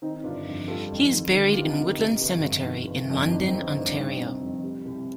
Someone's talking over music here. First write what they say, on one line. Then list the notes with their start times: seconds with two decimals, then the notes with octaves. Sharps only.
He is buried in Woodland Cemetery in London, Ontario.
0.02 D#3 C4 D#4
0.24 G1 D4 F4
0.47 F2
0.68 G3 F4 A4
0.91 F2
1.12 D#3
1.34 D3 A4
1.43 G4
1.52 F1 F4
1.61 D#4 G4
1.78 D#2
2.00 C3
2.22 G1
2.43 F2
2.65 D#3
2.88 G1
3.10 F2
3.27 D#4
3.31 D#3 D4
3.48 C4 D#4
3.53 G1
3.65 C4
3.75 G2
3.80 D4
3.96 C3 C4 D#4
4.19 F1
4.41 F2
4.63 G3
4.85 C2